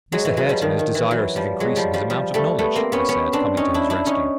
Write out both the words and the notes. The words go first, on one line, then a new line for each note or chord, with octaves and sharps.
'Mr. Hareton is desirous of increasing his amount of knowledge,' I said, coming to his rescue.
F#3 G#3
E3 F#3
F#3 G#3
F3 G3
D#3 F3
D#3
E3
E3 F#3
F3 G3
F#3 G#3
F3 G3
F3 G3
F3 G3
G3 A3
A3 B3
A#3 C4
B3 C#4
B3 C#4
C4 D4
C#4 D#4
D4 E4
D4 E4
C#4 D#4